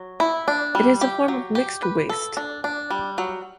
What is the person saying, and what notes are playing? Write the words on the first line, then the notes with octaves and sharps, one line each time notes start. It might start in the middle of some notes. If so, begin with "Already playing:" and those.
It is a form of mixed waste.
Already playing: F#3
E4
D4
G3
G4
F#3
G4
B4
A4
D4
D4
G3
F#3